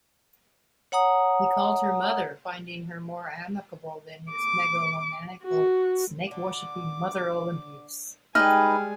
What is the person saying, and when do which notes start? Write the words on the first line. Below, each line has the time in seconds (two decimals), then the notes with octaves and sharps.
He called her "mother", finding her more amicable than his megalomaniacal snake-worshiping mother Olympias.
0.92 C#5 F#5 A#5 D#6
4.32 D6
5.44 F#4
6.31 D3 D6
8.35 G3 G#3 D#4 G4 A4 B4 G#5 F6